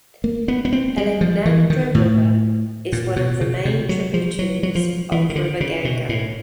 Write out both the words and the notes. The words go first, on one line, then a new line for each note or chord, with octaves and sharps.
Alaknanda river is one of the main tributaries of river Ganga.
A#3
B3
B3
C4
G3
F3
E3
D#3
A2
A#2
B2
C#3
C3
F#3
F3
F#3
F#3
F3
E3
D#3
D3
C#3
B2
A2